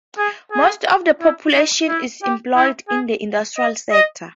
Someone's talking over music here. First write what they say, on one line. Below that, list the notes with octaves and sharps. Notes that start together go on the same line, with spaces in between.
Most of the population is employed in the industrial sector.
G#4
G#4
E4
D#4
E4
G4
E4
G#4
D#5
D#5